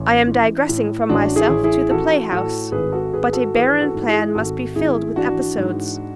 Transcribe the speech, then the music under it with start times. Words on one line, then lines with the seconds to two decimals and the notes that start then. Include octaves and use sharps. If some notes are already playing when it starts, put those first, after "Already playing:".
I am digressing from myself to the play-house; but a barren plan must be filled with episodes.
Already playing: A1
0.27 E3
0.69 A2
1.09 A1 D4 F#4
1.36 E4 G#4
1.50 A1
1.64 E4 G#4
1.91 E3 F#4 A4
2.32 A2 F#4 A4
2.72 G#1 G#4 B4
2.92 F#4 A4
3.13 G#1 G#4 B4
3.33 F#4 A4
3.54 E3 G#4 B4
3.81 F#4 A4
3.95 G#2
4.08 E4 G#4
4.35 G#1 F#4 A4
4.76 G#1 E4 G#4
5.16 E3 D4 F#4
5.58 G#2